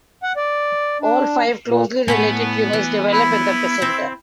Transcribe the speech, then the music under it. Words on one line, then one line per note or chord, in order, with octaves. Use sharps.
All five closely related tumours develop in the placenta.
F#5
D5
D4
A#2
A2 B3 G4 F#5 G#5 B6
E3
E4 B5
C4